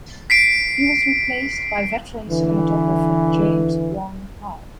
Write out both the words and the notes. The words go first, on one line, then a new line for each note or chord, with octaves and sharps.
He was replaced by veteran cinematographer, James Wong Howe.
B6 C7 D7
D3 E3